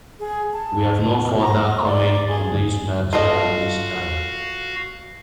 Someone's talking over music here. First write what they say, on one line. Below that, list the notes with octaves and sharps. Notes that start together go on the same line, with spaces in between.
We have no further comment on this matter at this time.
G#4
A5
A#5
D5
G#4
F4 F#4 A4 D#5 F5